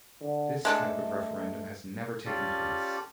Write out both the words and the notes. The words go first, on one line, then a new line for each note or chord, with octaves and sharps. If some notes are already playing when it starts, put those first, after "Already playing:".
This type of referendum has never taken place.
D3
G#3 A3 D4 A4
C#4 F4 G4 A4 D5